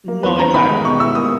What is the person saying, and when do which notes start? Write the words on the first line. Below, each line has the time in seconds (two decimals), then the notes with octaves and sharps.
No, exactly.
0.08 A#3
0.23 E2 B4
0.38 C#4 A#5
0.54 D#3 B5
0.69 G#3
0.85 B2 C#6
1.00 E4 E6
1.15 A#3 D#6